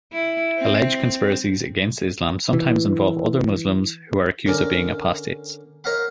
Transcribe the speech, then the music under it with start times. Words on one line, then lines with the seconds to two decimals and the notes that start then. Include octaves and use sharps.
Alleged conspiracies against Islam sometimes involve other Muslims who are accused of being apostates.
0.12 E4
0.58 C4
2.54 E3
4.47 D3 C#4 A#4 D5
5.84 A#4 C#5 D#5 F5 F#5 B5